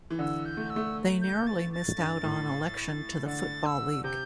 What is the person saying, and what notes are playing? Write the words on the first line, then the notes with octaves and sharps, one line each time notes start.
They narrowly missed out on election to the Football League.
E3
D3 E6
G6
A3
E6
A3
G6
A6
A6
G2
A2
D3 A6
E6
C3 G6